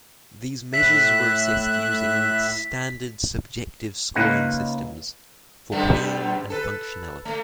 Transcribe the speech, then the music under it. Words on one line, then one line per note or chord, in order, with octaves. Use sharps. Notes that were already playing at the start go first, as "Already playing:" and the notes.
These measures were assessed using standard subjective scoring systems for pain and functionality.
A2 E5 F#6 B6
C#2 A#3 D#4 B4 F#5
F#2 G3 A3
A4 B4
A3